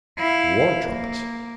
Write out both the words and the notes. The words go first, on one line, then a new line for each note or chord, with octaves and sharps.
War trumpets!
E4 F5
A#3